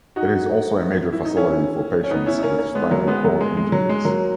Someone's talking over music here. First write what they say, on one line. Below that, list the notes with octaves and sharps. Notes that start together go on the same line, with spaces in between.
It is also a major facility for patients with spinal cord injuries.
D#4 F#4
E4
D#4
C#4 E4
C#4
B3 D#4
C#4 E4
D#4
A#3 C#4
A#3 C#4
G#3 B3
F#3 A#3
G#3 B3
F#3 A#3
G#3
G#3
F#3
G#3
F#3 A#3